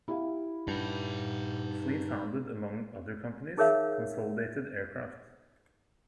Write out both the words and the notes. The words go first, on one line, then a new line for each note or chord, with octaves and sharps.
Fleet founded, among other companies, Consolidated Aircraft.
E4 G4 F5
G2 D#4 F#5
D#4 G#4 A#4 C#5 E5 F5